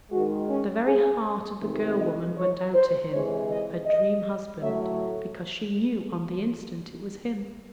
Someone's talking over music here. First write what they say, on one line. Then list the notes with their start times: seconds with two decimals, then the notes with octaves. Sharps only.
The very heart of the girlwoman went out to him, her dreamhusband, because she knew on the instant it was him.
0.11 D#3 G#3 F#4
0.49 C#4
0.86 G#4
1.62 C3 D#3 A3
1.99 D#5
2.36 C#5
2.75 C5
3.11 C3 E3 G#3 C#5
3.49 D#5
3.86 D#5
4.61 A2 F#3 A3 E5